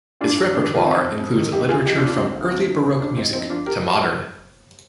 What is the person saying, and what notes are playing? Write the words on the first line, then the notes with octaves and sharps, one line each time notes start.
His repertoire includes literature from early baroque music to modern.
G2 D4 F4
G2
D#3 D4
D#3
F4
F2 C4 D#4
F2
F2
D#3
D2 D#4 G4
D2 F4 G#4
F3 D#4 G4
D4 F4
D2
D4 F4
D2 C4 D#4
D2
F3 C4
D3
D2 C4
D2 D4
D2 C4 D#4
F3 C4 D#4
F3 D4 F4
G4 A#4